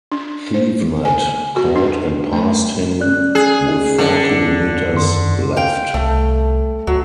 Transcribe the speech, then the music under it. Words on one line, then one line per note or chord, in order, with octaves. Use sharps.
Thevenet caught and passed him with four kilometers left.
D4
C5
G#5
F#4
D4
A3
C#4 D5 F#6
G#4
D3
F#2 D#3 C6
F5 G5
C2 A3
D2 F#3